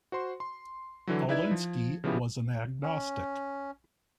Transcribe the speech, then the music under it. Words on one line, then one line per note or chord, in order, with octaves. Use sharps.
Alinsky was an agnostic.
F#4 C5 C6
C6
D3 E3 F#3
D#4 E4 B4 D5 E5 G#6
F3
C#3 F3 B3 E4 G4
C#4